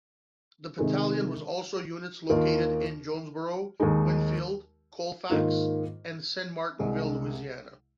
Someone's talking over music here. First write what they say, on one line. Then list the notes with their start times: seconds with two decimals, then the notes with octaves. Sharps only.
The battalion also has units located in Jonesboro, Winnfield, Colfax, and Saint Martinville, Louisiana.
0.78 C3 D#3 G#3
2.30 D#2 D#3 A#3 F4
3.80 D#2 D#3 G#3 D#4
5.30 G#2 D#3 A#3 F4
6.79 C2 C3 G#3